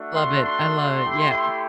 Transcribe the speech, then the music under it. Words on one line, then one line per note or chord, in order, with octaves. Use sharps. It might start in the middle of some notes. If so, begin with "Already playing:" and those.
Love it. I love it. Yeah.
Already playing: A3 D4 F#4
C6
C6
A3 E4 G4